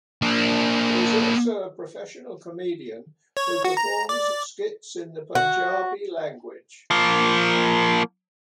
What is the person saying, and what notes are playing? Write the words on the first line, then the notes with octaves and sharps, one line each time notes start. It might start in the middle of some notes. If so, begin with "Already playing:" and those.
He is also a professional comedian who performs skits in the Punjabi language.
A#3 D4
C#5
F#4
A#5
D5
F#4
F3 A#3